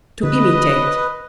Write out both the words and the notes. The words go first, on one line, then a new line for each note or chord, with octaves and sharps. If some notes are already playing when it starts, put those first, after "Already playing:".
To imitate.
D3 B4 D#5